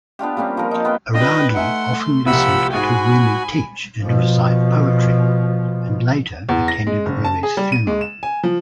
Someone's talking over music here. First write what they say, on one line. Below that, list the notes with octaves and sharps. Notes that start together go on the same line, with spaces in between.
'Araghi often listened to Rumi teach and recite poetry, and later attended Rumi's funeral.
B3 D4 F4 G4
G3 A#3 C4 C#4
F3 A#4
D#4 F5
B3 C4 B4 G5
D4 F4 B4 D#5 G5
A3 D#4 E5 F#5 G#5 C6
C2 A#2 F3 G4 F#5 B5 E6
G#2 G#3 F#4 G#4 G#5 B5
B2 F3
E2
A#6
G#3
F#1
A5
G#4
G3
D#7
G#3
E7
G#5
F3